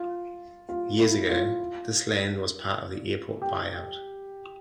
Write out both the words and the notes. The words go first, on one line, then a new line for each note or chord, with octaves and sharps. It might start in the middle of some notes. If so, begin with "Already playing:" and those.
Years ago, this land was part of the airport buyout.
Already playing: F4
F4
E4
F4
G4